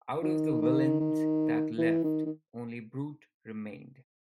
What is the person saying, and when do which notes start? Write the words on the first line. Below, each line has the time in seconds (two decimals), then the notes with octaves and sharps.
Out of the villains that left, only Brute remained.
0.23 D#3
0.62 D#3
1.00 D#3
1.78 E3
2.04 D#3
2.25 D#3